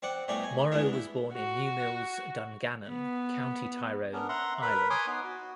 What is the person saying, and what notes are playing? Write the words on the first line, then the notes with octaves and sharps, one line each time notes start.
Morrow was born in Newmills, Dungannon, County Tyrone, Ireland.
C4 D5 F#5
C2 B2 G3 A3 D5 G#5
G#5
E3 G#3 B3 D4
E4
F#4
B3
B3 C#4 D4 A#4
E5 F#5 A#5 C6
A#4 B4 B5
C#5 G#5 C6 D6 D#6
B3 D#4 B4
F#4